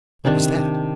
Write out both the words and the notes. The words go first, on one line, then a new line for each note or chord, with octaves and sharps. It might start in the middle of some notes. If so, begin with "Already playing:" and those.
What was that?
C3 D#3 D4